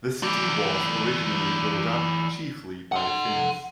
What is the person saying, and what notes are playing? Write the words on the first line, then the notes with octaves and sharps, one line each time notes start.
The city was originally built up chiefly by Finns.
E3 D5
F#5 C6